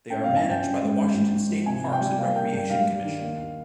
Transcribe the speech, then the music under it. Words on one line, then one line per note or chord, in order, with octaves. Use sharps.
They are managed by the Washington State Parks and Recreation Commission.
C#4 G5
G2 F5
G#5
G2 G5
C#4
G#3
G#2
G#1
G#2
F3
C3 G#5
C3
G5
G3
A#3 F5
A#3 G5
G2 G5
G3 F5
G3
D#3
D#2